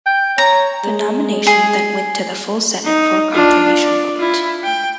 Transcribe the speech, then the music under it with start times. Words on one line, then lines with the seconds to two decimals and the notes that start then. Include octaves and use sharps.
The nomination then went to the full Senate for a confirmation vote.
0.06 G5
0.38 C#5 A#5
0.84 G#3
1.47 G#4
2.84 D#4
3.31 D4 F4
3.82 D5
4.18 E4 F4
4.64 G5